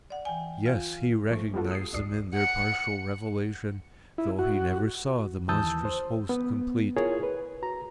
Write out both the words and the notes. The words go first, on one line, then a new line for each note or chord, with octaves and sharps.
Yes, he recognised them in their partial revelation, though he never saw the monstrous host complete.
D5 F#5
E3 G5 G#5
F4 F5
A#1 F3 A3 C#6
G3 A#3 B3 F4 F#4 A4
D#6 C7
A1 D2 G2 D5 D#6 C7
F#5 C#7
E4
F#4
D#2 E3 A5 D#6 E6 G6
C5
B3
E4 F4 G#4 A#4 C#5
B4
F#4 A#5